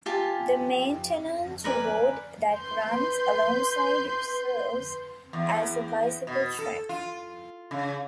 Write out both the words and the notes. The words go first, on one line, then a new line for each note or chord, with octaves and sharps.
The maintenance road that runs alongside serves as a bicycle track.
F4 G4 G#5 A5
A#4 B4 D5 G#5
B4 C6 G6
E2
B2
A4
F4
C#3